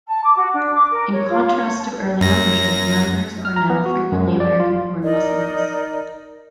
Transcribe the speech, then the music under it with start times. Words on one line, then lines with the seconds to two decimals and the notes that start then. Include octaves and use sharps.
In contrast to early membership, members are now frequently American-born Muslims.
0.08 A5
0.24 D6
0.38 F#4
0.54 D4
0.75 D6
0.91 A#4
1.13 C#5
1.29 F4
1.56 C#5
1.80 A5
2.21 F#2 A#6
3.45 F6
3.56 A#5
3.70 B3
3.86 F#4
4.12 F#2
4.27 F3
4.40 D5
4.60 F4
5.03 D#4 A#4 D5 D#5